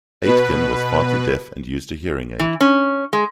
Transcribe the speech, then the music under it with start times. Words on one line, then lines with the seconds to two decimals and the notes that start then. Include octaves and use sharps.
Aitken was partly deaf and used a hearing aid.
0.22 B2 B4
2.39 E3
2.61 C#4
3.13 G#3